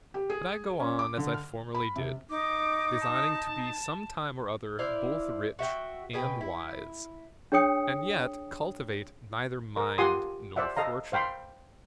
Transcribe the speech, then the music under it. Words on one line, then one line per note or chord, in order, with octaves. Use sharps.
But I go on as I formerly did, designing to be some time or other both rich and wise; and yet cultivate neither mind nor fortune.
G4
G#4
C#4
D6
D3
F6
B5
C3
D#4 D6
A5
E4 C5 D5 F5
F#4 E5 G5
B2 G#4 B4 G5
E4
D4 G#4 C#5 G5 D#6 C#7
A#4
F4 G4 F#5 G#5 C6 D#6
C5 D5 E5 F#5
A4 D#5 F5 A#5
C5 F5 G5 B5 C6